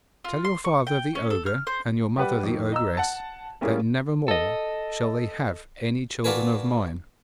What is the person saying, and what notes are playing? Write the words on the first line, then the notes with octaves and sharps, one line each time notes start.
Tell your father the ogre and your mother the ogress, that never more shall they have any children of mine.'
F4
C6
C#6
G5
C#4
A4
F6
C5
G3 G4 B4 F#5
F2 D#3
D#5 A#5 E6
F#5 A5
G3 A#3 C#4 E4 F4 G#4
A4 D#5
D4 F4 F#4 A#4 B4 G#5